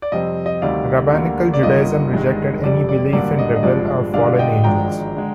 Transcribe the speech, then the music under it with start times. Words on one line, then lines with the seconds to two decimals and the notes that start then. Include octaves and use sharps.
Rabbinical Judaism rejected any belief in rebel or fallen angels.
0.02 D5
0.12 F2 C3 G3 C4 D#5
0.46 D#5
0.62 D2 C3 D#3 G3 D5 F5
1.13 D2 D3 G3 A#3
1.54 D5
1.63 G1 G2 D#3 A#3 F4 D#5
2.12 G1 G2 D#3 G#3
2.63 F1 F2 C3 G3 D5
2.89 D5
3.13 G#1 G2 D3 G3 A#3 D5
3.39 D#5
3.56 D#5
3.63 G1 G2 F3 G#3 D5
4.14 G2 D3 G#3 D4 F4 D5 F5
4.39 D#5 G5
4.64 G#1 G#2 F3 G#3 D4 G5 A#5
5.16 D3 G#3